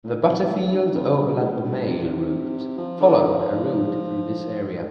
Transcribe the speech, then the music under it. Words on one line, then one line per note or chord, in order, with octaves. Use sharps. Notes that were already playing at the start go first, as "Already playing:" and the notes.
The Butterfield Overland Mail route followed a route through this area.
A2
C3
A2
G2
F2
G2
A2
G2
C3
F3
D3
F3